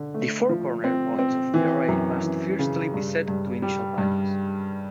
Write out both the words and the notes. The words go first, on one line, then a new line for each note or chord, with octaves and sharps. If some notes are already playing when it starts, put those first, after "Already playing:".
The four corner points of the array must firstly be set to initial values.
Already playing: D3
A3
F3
C4
C4
E3
F#2
E3
C#3
G2
G2
G3
G2